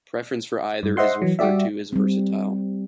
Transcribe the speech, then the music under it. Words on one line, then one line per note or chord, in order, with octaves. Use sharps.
Preference for either is referred to as "versatile".
G2
C5 D#5 E5 F#5 C6
E3 F#3
G3 F#4 G4 D5 E5
G3 C4